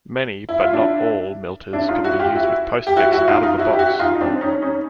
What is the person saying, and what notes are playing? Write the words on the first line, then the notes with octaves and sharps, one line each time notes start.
Many, but not all, milters can be used with Postfix "out of the box".
E4
F4
D4 E4
D4 E4
D#4 F4
E4 F#4
F4 G4
E4 F#4
G4
E4 F#4
E4 F#4
D#4 F4
D#4 F4
E4 F#4
G4
E4 F#4
D#4 F4
D#4
C4 D4
C#4 D#4
C#4 D#4